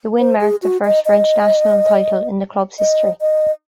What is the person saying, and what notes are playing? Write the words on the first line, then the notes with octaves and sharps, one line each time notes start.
The win marked the first French national title in the club's history.
C5
G#4
F#4
D#5
D#5
D#5
D#5